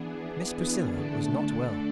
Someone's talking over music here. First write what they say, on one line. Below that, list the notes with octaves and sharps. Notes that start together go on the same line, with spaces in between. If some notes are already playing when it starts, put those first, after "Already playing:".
Miss Priscilla was not well.
Already playing: E3 B3 D4 G#4
D3 A3 D4 A4 D5